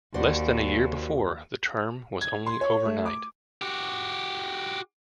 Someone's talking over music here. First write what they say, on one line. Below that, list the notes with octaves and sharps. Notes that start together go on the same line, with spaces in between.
Less than a year before the term was only overnight.
D#2 F#4 C5 D5
G#6
C6
C#5
A3
D6
F#4 G4